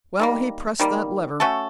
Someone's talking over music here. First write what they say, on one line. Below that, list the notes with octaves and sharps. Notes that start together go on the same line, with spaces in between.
Well, he pressed that lever.
D#3 G3 A#3
D#3 G3 A#3
A3 C#4 F#4 A4